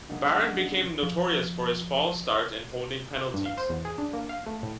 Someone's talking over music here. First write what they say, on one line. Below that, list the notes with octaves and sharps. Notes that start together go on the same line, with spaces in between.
Barron became notorious for his false start and holding penalties.
C#3 F#3 G#3 A#3 D4 D#4
F3
G2
F5
C5
E2
G#4
D4
A#3
F5
A3
A2